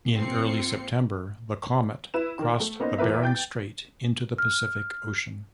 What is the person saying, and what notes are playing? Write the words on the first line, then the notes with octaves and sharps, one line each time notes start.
In early September, the "Komet" crossed the Bering Strait into the Pacific Ocean.
G#1 A#3 C4 F4 C7 C#7
E4 B4 E7
D#3 A#4
A3
A#3 B3 C#4 D#4 C5
E2 A#2 A#4 B4 E5
G5 G6 A6
F6